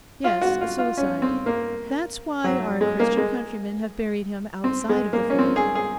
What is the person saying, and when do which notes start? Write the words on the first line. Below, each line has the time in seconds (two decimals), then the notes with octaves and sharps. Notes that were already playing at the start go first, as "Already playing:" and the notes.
'Yes, a suicide; that's why our Christian countrymen have buried him outside of the fold.
0.24 F4
0.41 F#4
0.61 F4
0.78 F4
0.97 C#4
1.22 C4
1.46 A#3
2.44 F#3
2.81 G#3
3.00 A#3
3.17 G#3
4.64 C4
4.89 G#3
5.13 A#3
5.30 C#4
5.39 C4
5.56 G#4
5.75 G#4